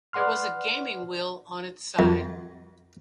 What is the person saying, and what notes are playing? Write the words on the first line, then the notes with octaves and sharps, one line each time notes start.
There was a gaming wheel on its side.
B4 D5 F#5 C6 F6
F2